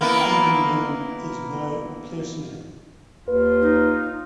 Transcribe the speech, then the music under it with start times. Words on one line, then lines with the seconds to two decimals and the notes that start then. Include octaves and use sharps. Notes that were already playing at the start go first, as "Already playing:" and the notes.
Andingmen is now a place name.
0.01 A#3 B3 E4
3.28 D#2 F4 B4
3.62 D#4